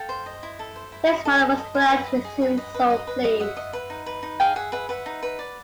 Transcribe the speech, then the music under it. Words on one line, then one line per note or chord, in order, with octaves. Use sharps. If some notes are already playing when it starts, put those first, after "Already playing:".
His mother was glad, he seemed so pleased.
Already playing: A4 F5 G5
C5
D#5
E4
A4
C5
E4
D#5
A4
D#5
D#5
C5
B4 E5 F#5
D#5
G#4
B4
D#5
B4
D#5
B4
D#5
D#5 E5 F#5
D#5
B4
D#4
B4
D#4
G#4 F5 G5
G#4 E5 F#5
B4 E5 F#5
B4 E5 F#5
D#4
B4
D5